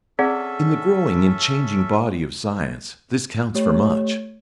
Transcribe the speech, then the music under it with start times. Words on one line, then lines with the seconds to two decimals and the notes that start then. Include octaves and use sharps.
In the growing and changing body of science this counts for much.
0.19 C4 C#4 G#4 A4 D5 E5 F#5
3.55 A3 G4 C#5